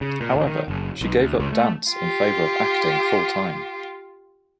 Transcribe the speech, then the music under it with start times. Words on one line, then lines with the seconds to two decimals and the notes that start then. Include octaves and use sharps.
However, she gave up dance in favor of acting full-time.
0.01 C#3
0.21 A#2
0.35 A1
0.47 D#3
0.68 F#1
1.01 B1
1.15 D2
1.40 C#2
1.52 A3
1.92 F4 G4